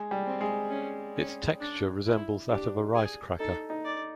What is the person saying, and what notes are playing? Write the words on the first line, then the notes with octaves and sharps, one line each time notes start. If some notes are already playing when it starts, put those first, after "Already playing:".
Its texture resembles that of a rice cracker.
Already playing: G#3
G3
C4
G#3
C#4
C#4
D4
E4
D4 G4
G#4
D#4 A4
D#4
D5